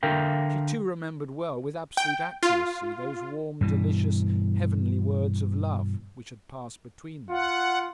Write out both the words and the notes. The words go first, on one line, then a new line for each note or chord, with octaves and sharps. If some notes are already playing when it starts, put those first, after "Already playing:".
She too remembered well, with absolute accuracy, those warm, delicious, heavenly words of love which had passed between them.
D3 A#4 E5 F5 G5
G5
F4
G2 B2 E3
F4 F#5